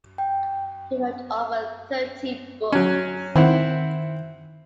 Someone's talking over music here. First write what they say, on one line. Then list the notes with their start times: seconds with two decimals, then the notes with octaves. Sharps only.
He wrote over thirty books.
0.18 G5
2.72 F#3 C#4
3.36 D#3 C4 E4 F#5